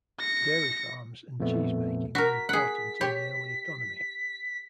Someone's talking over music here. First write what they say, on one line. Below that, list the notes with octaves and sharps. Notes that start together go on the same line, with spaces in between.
Dairy farms and cheesemaking were important in the early economy.
A#6 C#7
F2 A#2 F3 A3 B3
F#4 A#4 B6
G#4 F#5 B6
G4 C#5